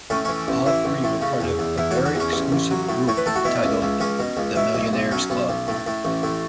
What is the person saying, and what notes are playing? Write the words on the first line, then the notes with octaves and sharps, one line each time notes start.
All three were part of a very exclusive group titled "the Millionaires' Club".
A2 C#4
E3 C#4
A1
E3 E4
A1
A2
C#3
E2
E2
E2 E4
F#4
E2
F#4
E2 C#4
A1
A1
F#3
A2
A2 C#5
B4
A2 A4
F#4
B2 E4
C#2
C#2
C#2 C#4
B2
C#2
B2 E4
B1
B1
F#3 C#4
B1
B1
A2
A2
A1
A2